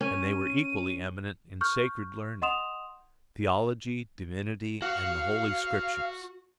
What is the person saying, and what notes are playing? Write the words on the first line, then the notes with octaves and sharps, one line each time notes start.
And they were equally eminent in sacred learning--Theology, Divinity, and the Holy Scriptures.
C#4 D#7
C#6 F6 G6
D#5 F#5 C6 D#6 E7 F7
F#4 F5 F#5